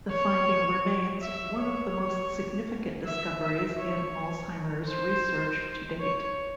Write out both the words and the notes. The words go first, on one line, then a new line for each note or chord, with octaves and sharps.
The finding remains one of the most significant discoveries in Alzheimer's research to date.
C#5
E5
C#5
E5
E5
C#5
C5
C#5